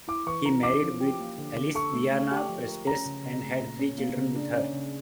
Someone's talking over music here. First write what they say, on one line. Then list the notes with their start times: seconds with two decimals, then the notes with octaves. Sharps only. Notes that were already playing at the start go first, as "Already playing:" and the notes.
He married with Alice Viana Prestes, and had three children with her.
0.08 E4 D6
0.27 E3 C#6
0.45 A#4 A#5
0.63 C#4 D6
0.82 F3
1.01 G4
1.20 A#3
1.38 D3
1.57 D3
1.75 A4 C#6
1.94 A3
2.12 A3
2.31 G4
2.49 F3
2.68 A#4
2.87 C#4 A#5
3.06 C#3
3.24 C#3
3.43 A3
3.60 A#2
3.79 C#4
3.98 A#3
4.17 C#3
4.35 D4
4.53 C#4
4.73 C#3